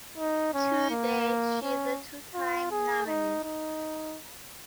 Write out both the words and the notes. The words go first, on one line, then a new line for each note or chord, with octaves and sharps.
To date, she is a two-time nominee.
D#4
C#4
A#3
C#4
F4
G#4
D#4
D#4